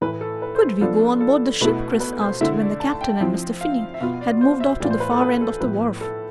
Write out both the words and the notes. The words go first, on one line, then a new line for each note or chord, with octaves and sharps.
"Could we go on board the ship?" Chris asked, when the Captain and Mr. Finney had moved off to the far end of the wharf.
A2 E3 A3 E4 B4
A4
B4
C5
F3 B3 D4 F4 A4
A4
B2 A3 E4 B4
B4
C5
D3 A3 E4 E5
D5
A5
G5
F3 C4 E4
F5
E5
B2 B3 F4 F5
D5
C5
E5
A2 E3 B3 F4 D5
C5
B4
A4
B4
A4
A2 F3 B3 B4
A4